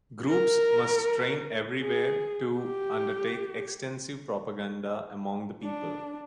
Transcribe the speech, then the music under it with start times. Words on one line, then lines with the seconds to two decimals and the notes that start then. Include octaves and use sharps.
Groups must train everywhere to undertake extensive propaganda among the people.
0.28 A#4
1.81 G#4
2.57 G4
5.63 D4